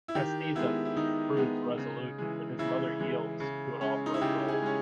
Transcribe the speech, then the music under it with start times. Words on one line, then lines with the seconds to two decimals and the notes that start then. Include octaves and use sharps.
Castiza proves resolute but his mother yields to an offer of gold.
0.08 E4
0.15 D#3 G4
0.55 G#3 B3 E4
0.85 E4
0.97 D#3 D#4
1.37 G#3 B3
1.78 C#3
2.18 E3 G#3
2.59 C#3 E4
2.99 E3 G#3
3.40 C#3
3.81 G#3 C#4
4.06 D#4
4.14 E4
4.21 C#3 G4
4.48 G#4
4.62 G#3 C#4